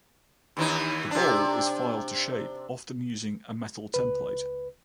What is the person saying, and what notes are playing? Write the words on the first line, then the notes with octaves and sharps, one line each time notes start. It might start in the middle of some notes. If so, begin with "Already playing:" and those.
The bowl is filed to shape, often using a metal template.
D#2 E3 D#4
C3 D4
C#2 B4